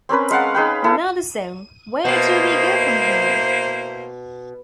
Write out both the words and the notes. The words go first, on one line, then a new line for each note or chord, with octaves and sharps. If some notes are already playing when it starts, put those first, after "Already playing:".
Another song, Where Do We Go From Here?
C4 C#4 A#4 B4
G#3 F5 F#5 A5
D#4 G#4 B4 G5
E4 A4
B2 A#3 E4 C5